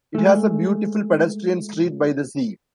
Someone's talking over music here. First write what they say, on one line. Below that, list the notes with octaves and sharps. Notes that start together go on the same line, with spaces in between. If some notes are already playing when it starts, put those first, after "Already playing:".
It has a beautiful pedestrian street by the sea.
G#3 A3